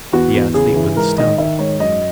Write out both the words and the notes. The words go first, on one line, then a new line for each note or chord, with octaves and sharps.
The athlete was astounded.
E2 F#4
E2
C#3 G#4
E3
G#2 A#4
D#3 D#5
D#3 E5
G#2 C#5
F#2 D#5